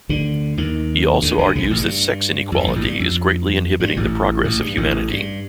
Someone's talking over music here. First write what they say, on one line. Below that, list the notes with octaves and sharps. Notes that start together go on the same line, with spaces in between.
He also argues that sex inequality is greatly inhibiting the progress of humanity.
D2 D3
D#2 D#3
D2 D3
D2 D3
C2 C3
A#1 A#2
A1 A2
G2
F2
G2
A#1 A#2
A1 A2
G2
F2
G2
A1 A2
A1 A2
G2
A1 A2
G2